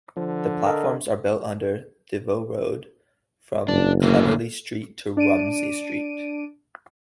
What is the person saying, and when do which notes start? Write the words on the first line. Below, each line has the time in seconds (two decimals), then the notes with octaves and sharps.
The platforms are built under Des Voeux Road from Cleverly Street to Rumsey Street.
0.17 D3 F3
0.66 A4 A#4 D#5
3.68 F#1 D4
4.03 D3 A3 A#3
5.17 D4 D5 D7 D#7